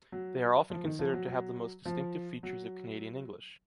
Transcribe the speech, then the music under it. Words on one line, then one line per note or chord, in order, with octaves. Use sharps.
They are often considered to have the most distinctive features of Canadian English.
F#3
F3
D#3
F3
F#3
F#3
F3
F#3